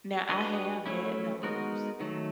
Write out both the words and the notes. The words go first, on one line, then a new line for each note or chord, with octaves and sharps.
Now I have had those.
D4 F#4 B4 D#5
F#3 A3 C#4 E4
G#3 B3 D#4 F#4 A#4
D#3 F#3 A3